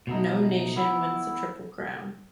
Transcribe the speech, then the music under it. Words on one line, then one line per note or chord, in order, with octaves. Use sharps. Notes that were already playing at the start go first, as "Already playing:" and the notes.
No nation wins the Triple Crown.
B2 A3 D#4
E3 B3 E4